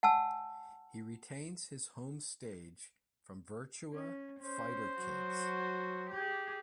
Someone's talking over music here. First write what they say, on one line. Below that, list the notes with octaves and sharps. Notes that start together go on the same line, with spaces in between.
He retains his home stage from "Virtua Fighter Kids".
F#5 G#5 A5 E6
C#4
C#4 C5
F#3 F#4
G4 G#4